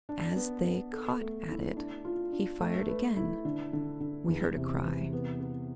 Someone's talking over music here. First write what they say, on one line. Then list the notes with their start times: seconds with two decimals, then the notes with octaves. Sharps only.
As they caught at it, he fired again--we heard a cry--.
0.09 D4
0.36 B3
0.64 B3
0.93 A4
1.21 A3
1.49 E4
1.77 D4
2.05 F4
2.32 D4
2.60 A3
2.89 B4
3.16 E4
3.45 D3
3.73 D3
4.00 D3
4.28 E2
4.56 C3
4.84 E3
5.13 B3
5.41 B3